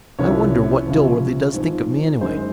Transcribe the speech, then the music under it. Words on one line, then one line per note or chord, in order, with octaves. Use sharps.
I wonder what Dilworthy does think of me anyway?
C2 C3 F3 C#4 C#5
C#2 C3 F3 C4
G#2 F3 C4
F#2 D#3 G#3 C4 C5